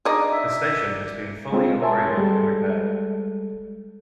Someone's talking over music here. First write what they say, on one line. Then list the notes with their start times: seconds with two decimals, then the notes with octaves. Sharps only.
The station has been fully upgraded and repaired.
0.05 D4 D#4 G#4 D5 D#5
0.32 E5
1.52 G#3 C4 F4
1.81 A#4 C#5 E5 G#5 A5 C6
2.17 G3 G#3 A4